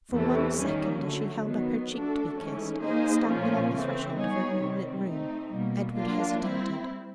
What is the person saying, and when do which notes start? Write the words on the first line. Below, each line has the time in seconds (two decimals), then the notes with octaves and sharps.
For one second, as she held up her cheek to be kissed, standing on the threshold of her moonlit room, Edward hesitated.
0.11 E2 C3 E3 A3
0.57 D#3 G3 A#3 C#4
1.01 D3 F#3 A3
1.46 D#3 F#3 B3
1.91 F3 A3 D4 F#4 A4
2.36 G#2 E3 A3 C#4
2.81 A#3 D#4 G#4 C5 D#5
3.26 A#2 F3 A#3 C#4 F4
3.72 C#3 E3 A3 C4
4.16 G3 B3 D#4 G#4 C#5
4.62 C3 D#3 G3 C4
5.06 A3 C4 D#4
5.52 B2 G3 A#3
5.96 F#3 A#3 D4 F4
6.41 G3 C4 E4